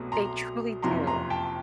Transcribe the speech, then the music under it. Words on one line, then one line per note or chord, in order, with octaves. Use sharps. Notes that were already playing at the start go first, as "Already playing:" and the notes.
They truly do,
Already playing: C2 B2 F#3 A3
A#5 C6
F#1 F2 C3 F3 A#5 C6
A#5 C6
G5 A5